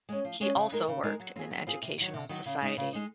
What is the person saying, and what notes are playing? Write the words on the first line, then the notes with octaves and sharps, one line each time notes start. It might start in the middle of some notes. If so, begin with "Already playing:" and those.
He also worked in an educational society.
G#3 C#4
F3
G#3 C#4
C#3
G#3 D#4 A#4
C#3
G#3 D#4 A#4
F#3
C4 F4 G#4
F#3
C4 F4 G#4
C3
D#3 F#3
C3
D#3 F#3
C#3
G#3 D#4
C#3
G#3 D#4